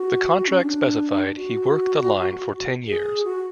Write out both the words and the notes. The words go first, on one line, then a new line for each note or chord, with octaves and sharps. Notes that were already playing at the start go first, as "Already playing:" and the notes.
The contract specified he work the line for ten years.
Already playing: F#4
C#4
D4
F#4
G#4
F#4